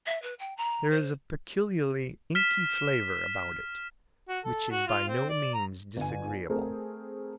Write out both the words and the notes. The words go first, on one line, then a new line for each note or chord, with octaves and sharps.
There is a peculiarly inky flavor about it, which is by no means disagreeable.
E5
B4
G5
A#5
C5
F6 B6 E7
F#4
A4
F#4
F4
C4
D5
A#5
G1 G#5
A3 C4 G#4 A#4